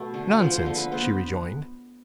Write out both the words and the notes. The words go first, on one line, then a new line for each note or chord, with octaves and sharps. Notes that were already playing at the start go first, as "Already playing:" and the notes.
"Nonsense," she rejoined.
Already playing: B2 A3
D3
F3 C5
C5
D3
B4
B3 C5